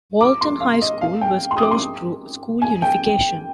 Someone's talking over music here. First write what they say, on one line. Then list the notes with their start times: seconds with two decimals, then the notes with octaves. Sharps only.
Walton High School was closed through school unification.
0.21 D6
0.41 C6
0.60 F5
0.82 D#5
1.01 F5
1.21 G5
1.51 C6
1.57 D#6
1.62 D6
1.71 C6
2.62 G#5
2.82 G5